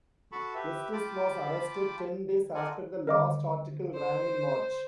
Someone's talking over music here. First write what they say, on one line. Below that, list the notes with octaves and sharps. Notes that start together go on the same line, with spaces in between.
Estes was arrested ten days after the last article ran in March.
F#4 A4 A5 B5 C#6
G4 B4 E5
F4 G5 A5 B5 D6
F4 A4 A#4 D5 F#5 G#5
D3 D#3 G3 A#4 D#5 D6
C5